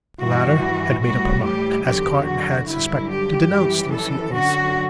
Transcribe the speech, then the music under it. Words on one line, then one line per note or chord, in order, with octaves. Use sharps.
The latter had made up her mind, as Carton had suspected, to denounce Lucie also.
G2 E3 G3 F#4
A2 E3 G3 F#4
G4
E2 D3 F#3 G4
F#4
G2 D3 F#3 E4
G4
F#2 E3 G3
A4
F#2 D3 F#3 F#4